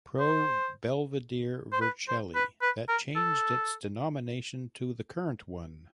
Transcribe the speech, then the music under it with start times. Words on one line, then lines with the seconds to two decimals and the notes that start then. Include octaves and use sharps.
Pro Belvedere Vercelli, that changed its denomination to the current one.
0.20 C5
1.72 C5
1.81 B4
2.08 C5
2.35 B4
2.62 B4
2.88 A#4
3.16 A4